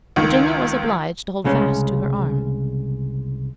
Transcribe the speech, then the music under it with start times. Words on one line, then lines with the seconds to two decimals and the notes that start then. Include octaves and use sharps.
Virginia was obliged to hold fast to her arm.
0.16 C#2 D#3
1.44 C2 C#3 G#3 C#4